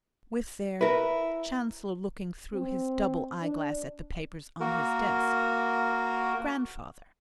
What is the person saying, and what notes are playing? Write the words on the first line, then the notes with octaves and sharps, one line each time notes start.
"With their"--Chancellor looking through his double eye-glass at the papers on his desk--"grandfather."
E4 A#4 B4
C4
D4
A#3 F#4 A#4